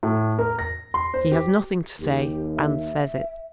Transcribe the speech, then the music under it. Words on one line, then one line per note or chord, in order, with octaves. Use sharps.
He has nothing to say and says it.
A2
A#4
A#6
C6
C5
G4
D#2 G4
E5